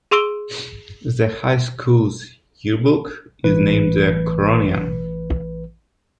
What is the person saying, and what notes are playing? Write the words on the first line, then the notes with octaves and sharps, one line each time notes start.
The high school's yearbook is named the "Coronian".
G#4 C6 E6 D7 G7
A1 E3 B4